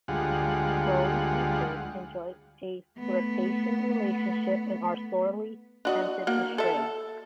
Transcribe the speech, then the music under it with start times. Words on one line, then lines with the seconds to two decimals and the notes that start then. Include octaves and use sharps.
Chloe and Sid enjoy a flirtatious relationship and are sorely tempted to stray.
0.08 D2 G3 G#3 F4 F#5
2.98 A3 B3
5.85 D4 F#4 D#5
6.27 A#3 F#4 F#5
6.58 A4 E5